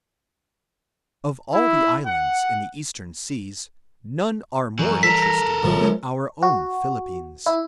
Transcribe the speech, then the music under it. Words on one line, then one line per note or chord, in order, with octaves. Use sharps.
Of all the islands in the eastern seas, none are more interesting than our own Philippines.
E4
F#5
F#2 E3 G3
A4 A#4 B6
A#6
A1 F#2 D#3 F3 G3
G#3 B3
F#4
E4